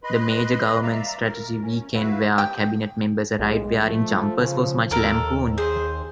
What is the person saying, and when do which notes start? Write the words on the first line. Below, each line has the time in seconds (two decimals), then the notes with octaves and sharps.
The Major government's strategy weekend where Cabinet members arrived wearing jumpers was much lampooned.
0.04 B4 D#5 B5 C6
0.81 D5 E5 F5 A#5
1.23 A#4
1.61 C#4
1.93 E4 F#4 B4 E5 F5
2.38 G4
3.39 B1 G#3
3.83 F3 A3
4.40 C#3
4.91 D#2 A4 A#4
5.58 G#4 C5